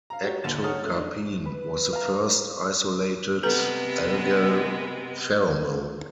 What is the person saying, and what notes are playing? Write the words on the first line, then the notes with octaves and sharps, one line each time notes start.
Ectocarpene was the first isolated algal pheromone.
F5 A#5
F#4 G4 C#5
A#1 D#2 D3 A6 E7
A4 C#5 F#5 A#5 D#6 F6
A3
D4 D#4
B4
F5 A#5
C3 G#3 B3 A4 B4 A#5